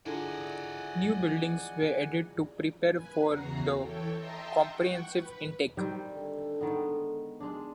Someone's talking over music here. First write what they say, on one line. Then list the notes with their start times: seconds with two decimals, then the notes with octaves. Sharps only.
New buildings were added to prepare for the comprehensive intake.
0.06 D3 E4 F4 G#4 D5 D#5 F#5 G#5
2.92 B4 G#5
3.28 E2 C#3 F#4 A#5 A#6 C7
3.79 E3 A4 C#5 G5
4.16 D#5 E5 G5 A5 A#5 C6
4.68 F#5 G5 C#6
5.08 B4
5.77 D#3 G3 C4
6.11 D3 A4
6.61 D#3 G#3 B3
7.40 G#3 D4